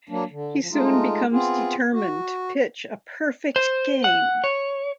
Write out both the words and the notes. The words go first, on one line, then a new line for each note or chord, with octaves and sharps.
He soon becomes determined to pitch a perfect game.
F#3 A#3 D4
D3
F3
G#3 A3 D#4 F4
B3 C4 F4 G#4
F#4
C5
F#5
C#5